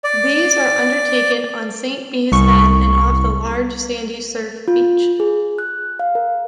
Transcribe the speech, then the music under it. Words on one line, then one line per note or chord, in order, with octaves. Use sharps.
These are undertaken on Saint Bees Head and off the large sandy surf beach.
D5
C2 C#6
F4
G#4
F#6
F5
A#4